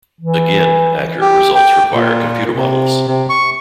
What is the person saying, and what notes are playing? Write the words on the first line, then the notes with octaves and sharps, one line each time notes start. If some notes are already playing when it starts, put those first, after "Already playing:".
Again, accurate results require computer models.
E3
G4
G5
A#2
C3
C3
C#6